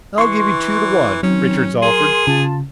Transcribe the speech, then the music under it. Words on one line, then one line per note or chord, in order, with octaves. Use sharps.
"I'll give you two to one," Richards offered.
E3 C6 C#6
D#3 F#3 C4 C#4 D#4
G#4 A#4 C6
C#3 F4 A5